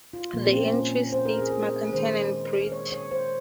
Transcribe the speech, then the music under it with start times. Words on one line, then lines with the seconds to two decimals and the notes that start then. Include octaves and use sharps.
The entry states Makaton, n. Brit.
0.13 F4
0.33 A#2 F3 A#3
0.47 C4
0.53 C#4
0.73 C#4
1.12 C5
1.25 A#4
1.39 G#4
1.51 A#4
1.92 D#3 G#3 C5
2.72 C#5
2.92 C#5
3.11 C5